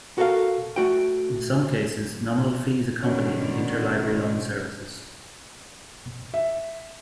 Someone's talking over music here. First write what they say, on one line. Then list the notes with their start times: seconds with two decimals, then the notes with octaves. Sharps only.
In some cases, nominal fees accompany the interlibrary loan services.
0.18 F#4 A4 A#4 E5 F5
0.76 A3 F#4 G5
3.02 B2 D3 D#3 C#4 C#5
6.34 E5